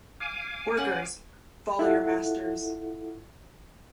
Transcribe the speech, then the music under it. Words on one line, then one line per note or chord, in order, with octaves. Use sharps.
Workers, Follow your masters!
F5 G#5 D6
C#4 G#4 F#5
E4 F4 A4 F#5